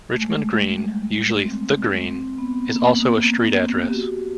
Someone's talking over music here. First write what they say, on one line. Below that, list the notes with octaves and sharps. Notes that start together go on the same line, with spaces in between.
Richmond Green, usually "The Green", is also a street address.
A3
G#3
G3
G#3
G3
G#3
G#3
C4
C4
B3
A#3
A#3
A#3
B3
B3
C4
G4
F#4